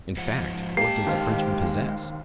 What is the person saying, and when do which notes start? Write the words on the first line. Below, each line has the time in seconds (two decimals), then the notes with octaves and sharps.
In fact, what does the Frenchman possess?
0.17 G#2 F3 F#5
0.77 G#3 A#3 G4 A5 C7
1.06 D#2 C5 F5